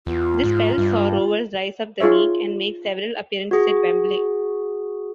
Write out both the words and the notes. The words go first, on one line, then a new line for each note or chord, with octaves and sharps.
This spell saw Rovers rise up the league and make several appearances at Wembley.
E2 F4
G#2
G2
D#4 F4 G#4 C#5 E5
F#4 G#4